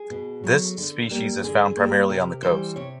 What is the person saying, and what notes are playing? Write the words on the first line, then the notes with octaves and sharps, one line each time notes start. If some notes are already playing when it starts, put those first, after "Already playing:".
This species is found primarily on the coast.
Already playing: G#4
B2
F#3 A3
D3
G3 A#3
D3 G#4
G3 A#3
C3 A#4
E3 G3 C5
C3 C#5